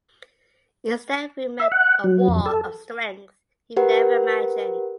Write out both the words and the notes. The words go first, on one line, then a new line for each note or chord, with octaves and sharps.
Instead he met a wall of strength he never imagined.
E5
F#5
F#3
F2
A4
G4 A#4 B4 F#5